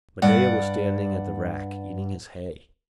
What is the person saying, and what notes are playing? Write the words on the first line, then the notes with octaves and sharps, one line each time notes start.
Medeah was standing at the rack, eating his hay.
G2 D5 F#5